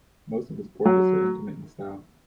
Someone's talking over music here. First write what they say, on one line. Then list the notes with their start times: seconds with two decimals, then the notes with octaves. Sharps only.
Most of his portraits are intimate in style.
0.85 F#3